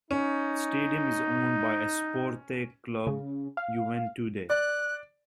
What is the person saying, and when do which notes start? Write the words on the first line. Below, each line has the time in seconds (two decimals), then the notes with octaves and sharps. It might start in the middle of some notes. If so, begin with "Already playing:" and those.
The stadium is owned by Esporte Clube Juventude.
0.11 C#4 D#4
3.07 C#3
3.57 F5
4.50 D5 F#6